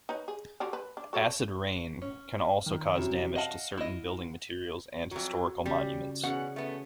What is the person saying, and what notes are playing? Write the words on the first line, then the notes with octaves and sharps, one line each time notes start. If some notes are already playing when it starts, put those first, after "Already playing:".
Acid rain can also cause damage to certain building materials and historical monuments.
D#4 B4 C#5
G#4
D3 F#4 G4
B4
D4
F#4 A4 C#5
C#4
D#3
F#2 C3 E4
D#5 F5 F#5 A5
E4 D#5
F2 F#3 F#4
C#3 G3 C#4
B2 E3 C#4 G#4 F#5
A3 B3